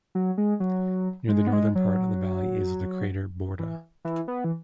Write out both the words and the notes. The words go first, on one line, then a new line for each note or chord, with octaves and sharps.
Near the northern part of the valley is the crater Borda.
F#3
G#3
F#3
G#3
B3
G#3
F#3
E3
E3
B3
E3